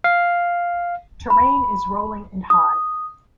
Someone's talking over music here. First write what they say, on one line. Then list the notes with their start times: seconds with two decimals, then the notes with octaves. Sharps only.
Terrain is rolling and high.
0.04 F5
1.30 B5
2.50 D#6